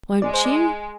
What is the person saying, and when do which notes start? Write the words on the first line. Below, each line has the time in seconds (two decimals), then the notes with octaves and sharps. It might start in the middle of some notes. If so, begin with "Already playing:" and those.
Won't you?'
0.22 G#3 D5
0.34 C5
0.45 D5
0.56 G#4